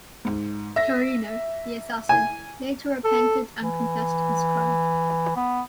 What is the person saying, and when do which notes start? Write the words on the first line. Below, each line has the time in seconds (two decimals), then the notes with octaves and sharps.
Carino, the assassin, later repented and confessed his crime.
0.25 G#2
0.76 E5 A#6
2.09 G#5
3.04 A4
3.61 E3
5.36 B3